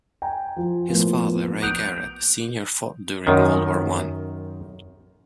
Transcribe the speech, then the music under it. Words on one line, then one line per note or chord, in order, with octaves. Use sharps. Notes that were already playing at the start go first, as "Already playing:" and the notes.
His father, Ray Garrett, Senior fought during World War One.
G5 G#5 A#5
F3 F4
A2 F3 A#3 B3
D6 D#6 F#6 G6 D7 F7
F#2 D#3